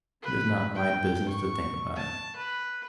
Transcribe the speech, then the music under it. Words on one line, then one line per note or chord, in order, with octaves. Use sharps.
It is not my business to think about it.
B4
G5
C#6
A5
B4